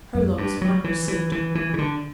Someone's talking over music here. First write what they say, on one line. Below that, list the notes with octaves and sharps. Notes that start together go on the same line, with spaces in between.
Her looks won her suit.
F#2
G2
F#3
E3
E3
E3
E3
C#3
D3